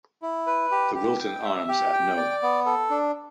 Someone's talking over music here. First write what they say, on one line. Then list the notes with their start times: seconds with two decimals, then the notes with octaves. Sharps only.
The Wilton Arms at no.
0.22 E4
0.47 B4
0.71 G4
0.95 G4
1.20 G5
1.45 E5
1.68 G4
1.93 G5
2.17 D5
2.42 B3
2.66 A4
2.90 D4